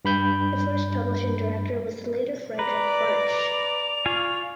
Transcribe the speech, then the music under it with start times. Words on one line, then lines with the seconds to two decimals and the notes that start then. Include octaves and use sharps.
The first publishing director was the later Friedrich Bartsch.
0.05 G2 B5 G6
2.59 B4 D5 A#5
3.39 F7
4.06 F4 F5 G#5 C#6